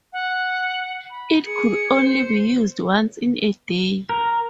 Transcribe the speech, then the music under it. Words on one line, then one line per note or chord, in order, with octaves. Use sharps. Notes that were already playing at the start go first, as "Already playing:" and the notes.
It could only be used once in a day.
F#5
B5
G#4 C#7
C5
A#4